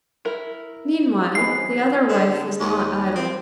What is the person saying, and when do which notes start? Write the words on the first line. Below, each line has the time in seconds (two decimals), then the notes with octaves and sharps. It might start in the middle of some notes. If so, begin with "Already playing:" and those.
Meanwhile the other wife was not idle.
0.25 E4 A#4
1.35 E3 F#3 C4 D#4 G#4 B4 C7
2.09 D3
2.60 D#2
3.16 C4